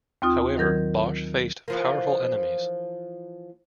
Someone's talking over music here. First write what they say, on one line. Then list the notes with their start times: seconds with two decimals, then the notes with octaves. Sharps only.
However, Bosch faced powerful enemies.
0.22 D#2 C4 F4 D#6
0.57 D#3 F#3 A#4 G6 G#6
1.68 E3 F3 A#3